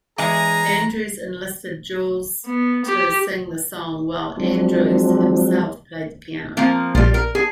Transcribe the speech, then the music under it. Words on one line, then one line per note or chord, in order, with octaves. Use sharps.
Andrews enlisted Jules to sing the song, while Andrews himself played the piano.
E2 G#3 G#4 A#5
B3
G4
F3 F#3 G#3 C4 D4
F3 A#3 C4
A#1 G3 F4
A#4
G#4